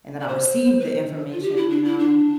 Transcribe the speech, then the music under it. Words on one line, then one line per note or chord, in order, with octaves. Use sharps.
and that I received the information, you know,
D5
C5
B4
C5
F4
G4
E4
D4
E4
D4